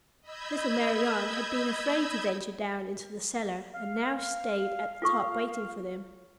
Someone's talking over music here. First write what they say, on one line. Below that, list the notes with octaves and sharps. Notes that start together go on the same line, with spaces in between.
Little Marianne had been afraid to venture down into the cellar, and now stayed at the top waiting for them.
D#5 B5 E6 G6 G#6
F5
F4 A4 C#6